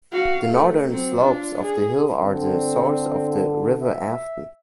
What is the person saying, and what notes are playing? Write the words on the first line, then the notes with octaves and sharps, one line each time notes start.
The northern slopes of the hill are the source of the River Afton.
F#4 F5
A3
F#3 C4
D4 F4
G#4
G1 D3 C4
E5